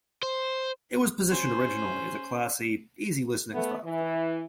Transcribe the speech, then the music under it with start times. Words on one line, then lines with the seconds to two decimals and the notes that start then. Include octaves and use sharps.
It was positioned originally as a classy easy listening style format.
0.23 C5
1.29 C#4 C5
3.54 A3 B3
3.83 E3